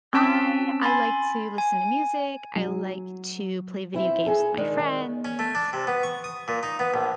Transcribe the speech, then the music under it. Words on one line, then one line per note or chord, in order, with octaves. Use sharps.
I I like to listen to music. I like to play video games with my friends.
C4 C#4 G5 A5 E6 B6
G#5 B5 C6 A6
G#5
F#3
C4 E4
G#4 A4
D#3 G#3 D4 D#4
D#3
C#4
A3
D4
C3
B3
C#6
D#6
A#2
D#4
B3
A#1